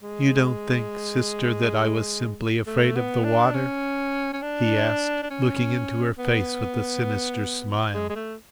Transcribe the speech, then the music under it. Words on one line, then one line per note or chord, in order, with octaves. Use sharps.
"You don't think, sister, that I was simply afraid of the water?" he asked, looking into her face with a sinister smile.
G#3
A3
B3
D4
C#4
C#4
D4
D4
C#4
B3
G#3
G#3
A3